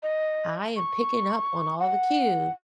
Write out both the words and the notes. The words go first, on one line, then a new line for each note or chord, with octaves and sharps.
I am picking up on all the cue.
D#5
C#6
F#5